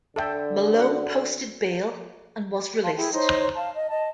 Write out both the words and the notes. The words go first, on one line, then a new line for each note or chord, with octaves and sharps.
Malone posted bail and was released.
D3 A4 E5 G5
F#4 F#5
F5 A5 C6
E4 G#4 G5
D#4 C5 C#5 C6
F5 A5
D#5
D#5 A5